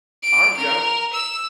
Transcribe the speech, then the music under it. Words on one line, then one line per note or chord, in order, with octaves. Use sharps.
RnB, I don't
D7
A#4
E6